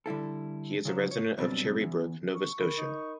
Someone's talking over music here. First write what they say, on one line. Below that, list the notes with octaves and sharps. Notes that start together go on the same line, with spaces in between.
He is a resident of Cherry Brook, Nova Scotia.
D3 G3 E4 A4
C#3 F3 F#3
C#5
F#2 B2 G3 C4 D4
E2
C#6
A#4 B5
D#4